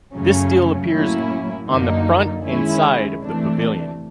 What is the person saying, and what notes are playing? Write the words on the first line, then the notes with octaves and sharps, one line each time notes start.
This still appears on the front and side of the pavilion.
F#2 C#3 F#3 A3 C#4
A2 F#3 A#3 C#4 E4
F#2 D3 F#3 A#3 D#4
D#3 G#3 C#4 E4
C3 E3 A3 D4